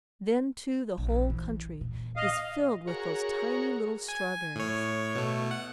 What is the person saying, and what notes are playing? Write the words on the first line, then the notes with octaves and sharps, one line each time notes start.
Then too the whole country is filled with those tiny little strawberries.
A#1
E3
A#2
D#5 F5
F#4 G#4 A#4 C#5
G#5
A2 C#5
B2 A3
F#5